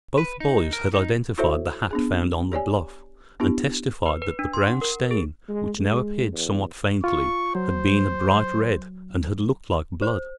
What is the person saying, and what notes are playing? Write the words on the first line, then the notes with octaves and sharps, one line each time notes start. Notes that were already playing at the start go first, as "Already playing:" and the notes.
Both boys had identified the hat found on the bluff, and testified that the brown stain, which now appeared somewhat faintly, had been a bright red, and had looked like blood.
B4
D#4
A#4
D#4
E4 F#4 A4 C5 C#5 E5
B3 D4 G#4
G4 C#5 D5 G#5
B3 D4 E4 G4
B4
B4
D4
C6
F#5
A#4
G#4
G#3
G#3
E2
F4 C#6
F#3 C5
C5